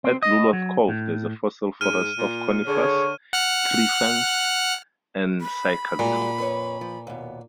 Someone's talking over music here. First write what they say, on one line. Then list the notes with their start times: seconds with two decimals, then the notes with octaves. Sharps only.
At Lulworth Cove there is a fossil forest of conifers, tree-ferns and cycads.
0.04 C4
0.22 D#5
0.53 F#3
0.88 A2
1.81 G#2 F6 D#7
2.18 A#2
2.67 D3 G#4 C#5
3.33 F#5 F6 F#6
5.41 B5
5.99 A#2 G3 G#3 F#4
6.38 F2 B4 C#5
6.81 F3
7.07 D#2 B2